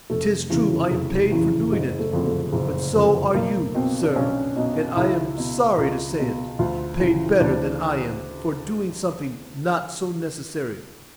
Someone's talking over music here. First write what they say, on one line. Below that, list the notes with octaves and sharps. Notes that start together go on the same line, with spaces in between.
'Tis true I am paid for doing it; but so are you, Sir: and I am sorry to say it, paid better than I am, for doing something not so necessary.
F1 A3
E2 C#3 E3
F1
E2 C#3 E3
F#1 G#3
A3
F2 D3
A3
F#1
F2 D3
B1 A#3
B2 C4
D4
B1 C#4
B2 D#4
C#2 E4
B2
C#2
B2
D2 F4
C#3 E3 F4
D2 D4